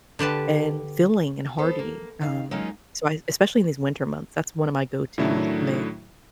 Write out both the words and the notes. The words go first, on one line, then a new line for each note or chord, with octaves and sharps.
and filling and hearty, um, so, I especially in these winter months, that's one of my go-tos to make,
D3 G4 B4 A5
B3 A4 C5
A#3
D#3 F5
F#3 G#3 A#3 C#4 D#4 F4
A2 D#3 F#3 A3 D4 E4